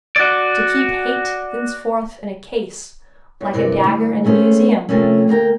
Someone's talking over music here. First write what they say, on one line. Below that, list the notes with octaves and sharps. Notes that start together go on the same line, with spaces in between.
To keep hate thenceforth in a case, like a dagger in a museum!
F#4 D5
E2 C#5
G2 C3 E3 A#4 D5
D2
D#3 A3 C#4 G#4 C5
C3 F3 A3 A#3 C4 C#4
D2 A#3 A#4 G5